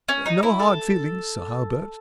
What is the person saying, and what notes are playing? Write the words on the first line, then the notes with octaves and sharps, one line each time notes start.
"No hard feelings, Sir Hawerburch."
C#4
D#4
E4
A4